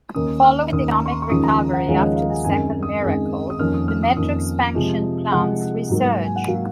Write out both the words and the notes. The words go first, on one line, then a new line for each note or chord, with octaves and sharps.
Following the economic recovery after the second miracle, the metro's expansion plans resurged.
D#2 D#3 A#3 C#4 D#6
F6
D#2 D#3 A#3 C#4 D#6
A#5
C#6
C6
C#6
D#2 C#3 F3 G#3 C#4 D#6
A#5
F#5
D#2 C#3 F3 G#3 C#4 F5
C#5
D#5
F5
G#5
F#2 D#3 G#3 C4 G#5
D#6
F#2 D#3 G#3 C4
D#6
F2 D#3 A#3 C#4 F6
D#6
F6
D#6
F2 D#3 A#3 C#4 D#6
C3 F3 G#3
C3 F3 G#3 F#5
G#2 F#3 A#3
G#5
F#5
F#3 A#3 F5